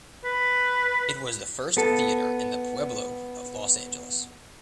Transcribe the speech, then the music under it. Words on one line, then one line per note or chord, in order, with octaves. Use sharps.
It was the first theater in the Pueblo of Los Angeles.
B4
B3 A4